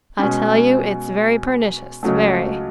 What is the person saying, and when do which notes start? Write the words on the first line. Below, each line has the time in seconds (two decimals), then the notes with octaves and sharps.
I tell you it's very pernicious--very!
0.19 B2 G#3 C#4
2.03 C#2 C#3 F#3 A3